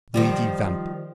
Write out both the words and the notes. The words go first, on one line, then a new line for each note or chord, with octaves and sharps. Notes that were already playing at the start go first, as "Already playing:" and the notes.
Luigi Vampa.
D#3 F3 G3